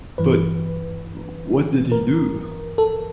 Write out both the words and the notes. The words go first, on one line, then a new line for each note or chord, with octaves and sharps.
But what did he do?
G2 E3 B4
A#4
A4